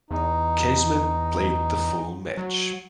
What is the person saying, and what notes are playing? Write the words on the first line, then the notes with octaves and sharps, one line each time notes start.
Casement played the full match.
E2 D#4
F#3